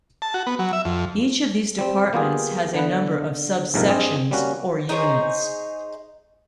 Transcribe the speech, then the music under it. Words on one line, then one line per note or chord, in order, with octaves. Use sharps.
Each of these departments has a number of sub-sections or units.
A5
F#4
B3
F#3
E5
F2
G3 C4
A#3 B3 F4 G4 G#4
D3 B3 B4
A#1 G#2 C3 F3 G3 A#4
G2 C4 G#4 D#5
G3 A#3 C#4 F#4
D#4 G#4 C5 C#5